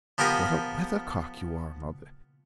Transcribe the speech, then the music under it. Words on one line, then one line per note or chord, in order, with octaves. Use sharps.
'What a weathercock you are, mother!
F3 B3 G4 A#4 G#5 D#6